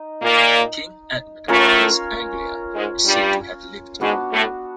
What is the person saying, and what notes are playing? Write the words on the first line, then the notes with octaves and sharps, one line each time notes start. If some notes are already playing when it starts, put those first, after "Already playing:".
King Edmund of East Anglia is said to have lived here.
Already playing: D#4 D#5
A#2 A#3
A2 A3 C#4 F4 A#4 C#5
G#2 G#3
G2 G3
G#2 G#3 B3 D4 F#4
A2 A3